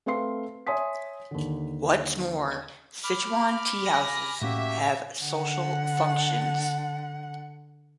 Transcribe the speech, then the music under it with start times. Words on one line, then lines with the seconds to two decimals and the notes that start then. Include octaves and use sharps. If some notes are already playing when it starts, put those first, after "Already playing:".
What's more, Sichuan teahouses have social functions.
0.06 A3 C4 B4 F5 C6 C7
0.67 C#5 E5 G#5 C6 D#6 B6
1.31 D#2 D3
3.04 B5 D6 F6
3.87 G#5 A#6
4.41 A2 A#3 C#4 F#4 G4 E5
5.23 D3 F#5